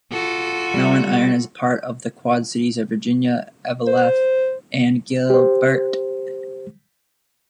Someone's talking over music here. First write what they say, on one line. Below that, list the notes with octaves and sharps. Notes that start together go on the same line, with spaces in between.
Mountain Iron is part of the Quad Cities of Virginia, Eveleth, and Gilbert.
F4 F#4 A4
G3
C5
G4 C5